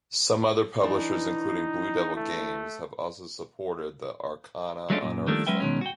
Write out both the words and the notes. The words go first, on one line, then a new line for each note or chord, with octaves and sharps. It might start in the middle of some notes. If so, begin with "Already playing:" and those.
Some other publishers, including Blue Devil Games, have also supported the "Arcana Unearthed" line.
E3 D4 D#4
A3
F#3 G#3 A3 C#4 D4 F4
F#2 A#2
D#3 F3 G3 A3 A#3 D4
F#3 G#3 C#4 B4 E5 G5
B2 D#3 E3 F#3 G#3 C#4
F#4 G5